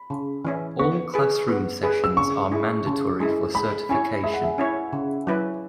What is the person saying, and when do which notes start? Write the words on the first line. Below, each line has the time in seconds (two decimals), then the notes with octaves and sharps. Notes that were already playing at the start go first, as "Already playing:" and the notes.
All classroom sessions are mandatory for certification.
Already playing: B5
0.10 C#3
0.45 E3 C#4 E4
0.79 B3 C#6
1.14 G#4 B4
1.48 B3
1.83 G#4 B4
2.04 E6
2.17 C#3 C#6
2.52 G#3 E4
2.86 C#3
3.20 G#3 E4
3.55 G#3 B5
3.89 C#4 E4 C#5 G#5
4.23 G#3 E5
4.34 F#5
4.43 E5
4.58 C#4 E4 C#5
4.93 C#3
5.27 F#3 E4 B4